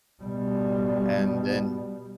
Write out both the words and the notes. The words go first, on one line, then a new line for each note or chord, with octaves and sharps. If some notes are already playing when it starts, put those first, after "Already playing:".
and then
B2 G3